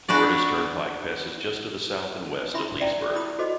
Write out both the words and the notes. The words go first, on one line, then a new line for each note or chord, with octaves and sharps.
Florida's Turnpike passes just to the south and west of Leesburg.
D4 F#4 B4 D5
D4 E4 E5 B5 C6
D5 E5 G5 A#5
E4 B5 D#6
F#4 A4 C5 D#5